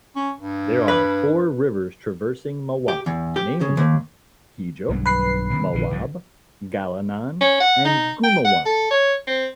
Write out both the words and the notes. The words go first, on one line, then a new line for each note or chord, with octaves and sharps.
There are four rivers traversing Mawab, namely: Hijo, Mawab, Galinan, and Gumawan.
C#4
G2
B4
G4
E2
G4
C#3
D#2
B1 G2 F#3
B4 C7
C3 D#3 A#3
A#1 D3
C2 G#2 F3
C#4
F#5
D#4
G5
F#5
A4
C#5
C4